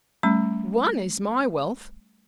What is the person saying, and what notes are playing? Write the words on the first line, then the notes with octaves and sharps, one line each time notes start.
ONE is my wealth!
G3 A3 C#4 B5